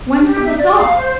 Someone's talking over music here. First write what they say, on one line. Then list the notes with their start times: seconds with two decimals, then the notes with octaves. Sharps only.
'When's the bazaar?'
0.19 G4
0.44 E5
0.57 D5
0.77 F5
0.97 C5